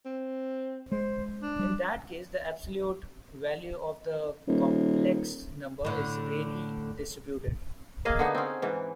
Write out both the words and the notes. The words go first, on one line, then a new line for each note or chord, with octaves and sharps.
In that case, the absolute value of the complex number is Rayleigh-distributed.
C4
G#3 C5
D4
G3
D#1
A2 D3
A#3 G#4 D#5 F5
D3 B3 D#4
C4 C#4
G#2 E3